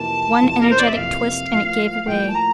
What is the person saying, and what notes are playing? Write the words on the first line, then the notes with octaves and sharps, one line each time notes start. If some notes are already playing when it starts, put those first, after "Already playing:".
One energetic twist and it gave way.
Already playing: F2 C3 E3 A#3 F4 A5
F2 C3 E3 A#3 F4
A#4
C5
D5
E5
F2 C3 E3 A#3 F4 F5
A2 F3 A#3
A2 F3 A#3 G5
A5
A#5